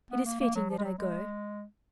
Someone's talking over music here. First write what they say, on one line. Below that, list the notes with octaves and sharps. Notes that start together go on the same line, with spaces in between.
It is fitting that I go.
B3
A#3
A#3
F#3
F3
G#3
F#3
G#3